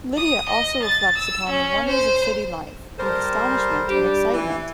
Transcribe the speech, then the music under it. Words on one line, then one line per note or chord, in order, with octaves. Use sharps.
Lydia also reflects upon the wonders of city life, with astonishment and excitement.
D#6
D#5
A6
E6
C#4
C5
G3 A4 A#4 C5
G3 D4 G4
E3